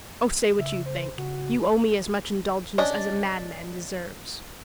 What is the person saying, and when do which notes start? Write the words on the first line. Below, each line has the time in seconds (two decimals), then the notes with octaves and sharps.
"Oh, say what you think; you owe me as much indulgence as a madman deserves."
0.59 C#3 E5
0.86 C5
1.18 C#3 F#4
2.78 C#4 D4 D5 D#5